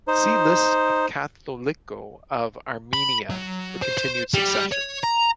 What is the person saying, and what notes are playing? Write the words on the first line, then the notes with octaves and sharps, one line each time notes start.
See List of Catholicoi of Armenia for continued succession.
D#4 C5
B5
F#3
C5
C5
G3
C#5
A#5